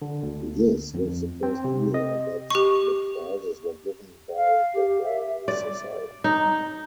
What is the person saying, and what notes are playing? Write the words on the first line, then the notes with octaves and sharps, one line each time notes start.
This was the first year that the prizes were given by the Royal Society.
D3
D2
F2
C4
C3
D#5
G4 C#6
F5
G4
E5
D5
D#4